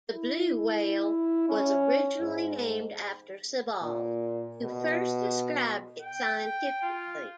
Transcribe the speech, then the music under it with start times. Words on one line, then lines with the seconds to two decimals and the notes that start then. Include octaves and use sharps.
The blue whale was originally named after Sibbald, who first described it scientifically.
0.14 E4
1.49 C#4
2.21 G#2
3.82 A#2
4.62 B2
6.02 G5
6.82 F4